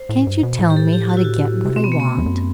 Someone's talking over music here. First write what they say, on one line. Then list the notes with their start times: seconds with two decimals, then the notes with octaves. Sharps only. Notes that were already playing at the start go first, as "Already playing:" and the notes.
"Can't you tell me how to get what I want?"
Already playing: C5
0.09 A2
0.27 G2
0.43 B2
0.59 A2
0.70 G4
0.77 A4
0.93 G4
1.09 F#4
1.17 E4
1.24 F#4
1.65 C3
1.76 B2 C4
1.84 B3
1.92 A3
2.00 B3
2.18 E2
2.26 F#2